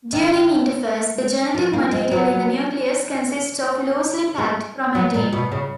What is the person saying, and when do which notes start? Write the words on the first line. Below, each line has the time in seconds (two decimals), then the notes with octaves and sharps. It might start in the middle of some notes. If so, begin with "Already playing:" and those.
During interphase, the genetic material in the nucleus consists of loosely packed chromatin.
0.13 D#3
1.55 F3
1.73 A#3
1.93 G#3
2.11 F#3
4.38 G#3
4.95 F#3
5.14 A#2
5.33 B2
5.52 C#3